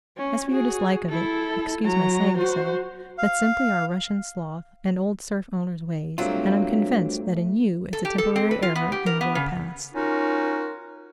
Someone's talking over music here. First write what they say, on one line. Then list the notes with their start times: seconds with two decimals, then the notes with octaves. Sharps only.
"As for your dislike of it, excuse my saying so, that's simply our Russian sloth and old serf-owner's ways, and I'm convinced that in you it's a temporary error and will pass."
0.17 C#4
0.51 F#4 G#4
1.09 E4 A4
1.85 F#3 A#5
2.38 F#4 C5
3.18 F5
6.18 G2 F#3 A3 A#3 C4 F4
7.93 A4
8.05 G4
8.18 A4
8.36 C4
8.51 B4
8.62 F4
8.75 B3
8.92 G4
9.06 A#4
9.21 B3
9.35 C#3
9.94 C#4 D#4 F4 F#4 A#4